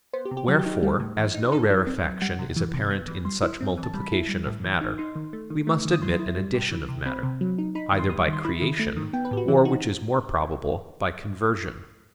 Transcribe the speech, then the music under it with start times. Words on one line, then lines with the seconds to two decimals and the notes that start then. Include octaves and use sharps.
Wherefore, as no rarefaction is apparent in such multiplication of matter, we must admit an addition of matter: either by creation, or which is more probable, by conversion.
0.13 B3 C5
0.25 G4
0.31 C3
0.37 G4
0.48 F#3 F#4
0.59 G4
0.66 D#4
0.72 G4
0.83 G3
1.00 A2
1.18 E3
1.34 D#4
1.52 D#4 A4
1.70 F#3
1.87 C4
2.04 F#3
2.22 G3 F#5
2.39 C3
2.56 E3
2.74 C3
2.91 B3
3.08 E3
3.25 G3 C6
3.43 E4
3.60 C4
3.78 E3
3.83 A5
3.94 G3 B5
4.12 E4
4.29 G3
4.46 A2
4.64 E3
4.81 D#4
4.98 D#4 C6
5.16 D#3
5.33 A3
5.50 D#3
5.67 A3
5.85 D#3
5.91 D#6
6.02 F#3 C6
6.19 E4
6.37 G3
6.54 C3
6.71 E3
6.89 C3
7.06 C4 B5
7.23 C3
7.41 F#3
7.58 D#4
7.75 D#4 B5
7.92 D#3
7.99 C6
8.10 G3 D#6
8.28 D#3
8.33 C6
8.45 E4 B5
8.62 D#3
8.79 A3
8.96 D#3
9.13 B3 G5
9.25 B4
9.31 A2 G4
9.37 F#4
9.48 E3 E4
9.65 D#4 F#4